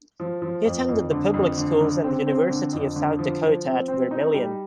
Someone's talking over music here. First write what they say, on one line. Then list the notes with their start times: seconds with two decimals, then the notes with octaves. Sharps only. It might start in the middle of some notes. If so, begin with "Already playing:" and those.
He attended the public schools and the University of South Dakota at Vermillion.
0.20 F3
0.42 F3
0.65 F2
0.88 F2
1.11 D3
1.34 F2
1.57 D3
1.81 D3
2.04 C4
2.27 C4
2.50 D3
2.73 F2
2.96 D3
3.19 F3
3.42 F3
3.65 C4
3.88 C4
4.11 D#4
4.34 G3